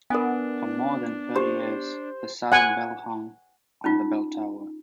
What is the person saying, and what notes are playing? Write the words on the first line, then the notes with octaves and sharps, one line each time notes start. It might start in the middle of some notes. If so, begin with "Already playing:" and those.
For more than thirty years, the silent bell hung on the bell tower.
B3 D4 A#4 G#5
G4 C5
F#5 G#5
C#4 D#4 F4